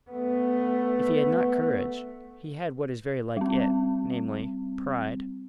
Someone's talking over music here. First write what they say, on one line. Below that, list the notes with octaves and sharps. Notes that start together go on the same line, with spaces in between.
If he had not courage he had what is very like it, namely, pride.
A3 B3
G3 C4